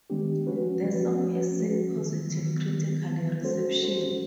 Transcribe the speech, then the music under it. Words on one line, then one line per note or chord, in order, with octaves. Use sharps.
The song has seen positive critical reception.
D#3 G#3 B3 D4 G4
F3 A3 C#4 F#4 B4
F3 A3 C#4 F#4 B4
F3 A3 C#4 F#4 B4
F3 A3 C#4 F#4 B4
D#3 F#3 B3
D#3 F#3 B3
D#3 F#3 B3
D#3 F#3 B3
G#3 C#4 F#4 A4 C5
G#3 C#4 F#4 A4 C5